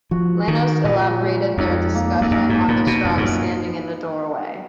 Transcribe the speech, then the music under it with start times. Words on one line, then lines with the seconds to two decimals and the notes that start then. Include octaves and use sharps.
Lanois elaborated their discussion on the song "Standing In The Doorway".
0.11 F3 F#4
0.48 D#3 F#4
0.84 A#2 F3
1.21 G#3
1.58 F2 D#4
1.95 A#3
2.21 F2
2.31 F#2 D#4
2.50 G#2
2.68 A#2 B3
2.87 B2
3.05 F2 A#2
3.18 G#2
3.24 F#2